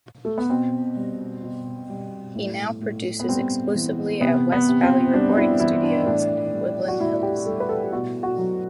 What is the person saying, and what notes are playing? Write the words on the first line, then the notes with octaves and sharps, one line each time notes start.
He now produces exclusively at West Valley Recording Studios, in Woodland Hills.
A3
B3
B2 C4
G3
B2
G3
A2
A2
B3
G3 C4
E3
C3 B3
B3
C3
C4
G3 D4
E4
E3 E4
D4
A2 D4
G3
F#4
A2 E4
G4
G3 A4
B4
A4
G4
B2 F#4
F#4
F#3